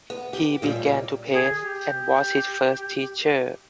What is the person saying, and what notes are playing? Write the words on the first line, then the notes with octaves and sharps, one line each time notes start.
He began to paint and was his first teacher.
B3
G4
D#2 A#2 G3
G#4
G4